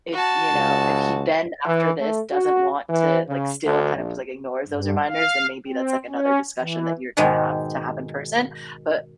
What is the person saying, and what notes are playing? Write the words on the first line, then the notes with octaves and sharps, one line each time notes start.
if, you know, if he then, after this, doesn't want to like, still, kind of, just, like, ignores those reminders, then maybe that's another discussion that you're gonna have to have in person. But,
F#4 A5
C#2
E3
A3
F#4
E3
C#3
D2
A#1
G2
F5
C4
C#4
E3
G#2 B2 D#3 G#3 G4